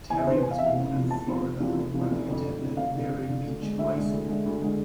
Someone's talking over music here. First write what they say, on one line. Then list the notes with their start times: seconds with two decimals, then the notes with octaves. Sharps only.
Terry was born in Florida, where he attended Vero Beach High School.
0.10 E2 G#5
0.18 E5
0.27 C3 C5
0.30 E3 B4
0.43 E2 G#5
0.51 F5
0.58 C3 E3 E5
0.66 F5
0.76 F1
0.93 E2 C3 F3
1.10 F1 A5
1.26 E2 C3 F3
1.43 F1
1.60 E2 C3 F3
1.77 F1
1.94 E2 C3 F3
2.11 F1
2.28 F2 D3
2.45 F1
2.61 F2 D3
2.77 F1 F5
2.95 F2 D3
3.12 F1
3.27 F2 D3
3.45 D2
3.62 D3 G#3
3.78 D2 E5
3.95 D3 G#3
4.12 D2
4.29 D3 G#3
4.46 D2
4.61 D3 G#3